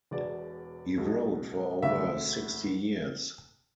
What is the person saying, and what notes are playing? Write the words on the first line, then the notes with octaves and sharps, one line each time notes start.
He wrote for over sixty years.
E1 E2 B2 B3 D5
B1 B2 G#3
E1 D2 D3 E5